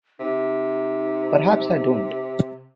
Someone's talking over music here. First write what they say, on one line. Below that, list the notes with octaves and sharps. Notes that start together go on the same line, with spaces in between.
Perhaps I don't.
C3 D#4